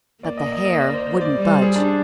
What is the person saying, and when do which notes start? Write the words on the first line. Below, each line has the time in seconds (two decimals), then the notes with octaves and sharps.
But the hair wouldn't budge.
0.23 A#3 D5
0.37 D#5
0.52 D#5
0.65 D#5
0.80 D5
0.94 C5
1.07 C5
1.21 D5
1.35 G3
1.44 C5
1.49 D5
1.62 G#4
1.76 D4